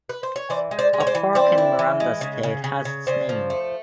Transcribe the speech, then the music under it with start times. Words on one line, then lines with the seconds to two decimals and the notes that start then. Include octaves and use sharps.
A park in Miranda State has its name.
0.09 B4
0.23 C5
0.36 C#5
0.50 E3 C5 D5
0.71 G#3
0.79 C5 D5
0.93 G#3
1.00 C#5
1.07 C5 D5
1.15 E3
1.35 C4 C5 D5
1.58 E4
1.79 E3
2.00 G#3
2.21 C#3
2.43 C#3
2.64 C#3
2.85 C#3
3.07 C#3 C5 D5
3.29 F3
3.50 A3